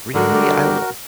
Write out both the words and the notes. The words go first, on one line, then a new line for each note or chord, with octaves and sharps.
Really? I w
G#2 D3 F#4 A#4
G3 D4